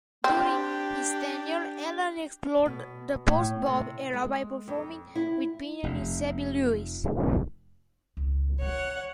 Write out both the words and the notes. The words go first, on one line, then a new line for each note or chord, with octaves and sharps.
During his tenure, Alan explored the post-bop era by performing with pianist Sabby Lewis.
C4 D4 G4
B2
A2
C3
G#3
F2
E4
F1
C#2
D#3 F4 C#5 F#5